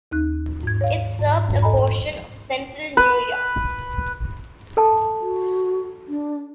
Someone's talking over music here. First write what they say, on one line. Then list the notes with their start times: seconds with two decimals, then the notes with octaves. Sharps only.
It served a portion of central New York.
0.11 D#2 D#4 F#6
0.63 G#2 G#6
0.81 C#5 F5
1.20 G#2
1.49 F2 G#2
1.62 A4 D#5 G#5 A#5 B5
2.97 B4
4.77 A4 A5
5.21 F#4
6.08 D4